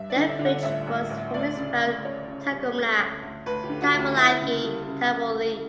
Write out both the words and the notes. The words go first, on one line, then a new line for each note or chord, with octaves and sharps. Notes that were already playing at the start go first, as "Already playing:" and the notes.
The village was formerly spelt Tagumlag, Tymulagy, Tymoleague.
Already playing: G2 E5
D5
D3
E5
D3
F#5
A1 E5
A1
A1
D2 D5
C#3
D2
C#3 C#5
C#3
G3
A3
D2
D2
D2 B4
G4
D3
F#4
D2
G4
D2 E4
C#3
G3
C#3
C#3
D2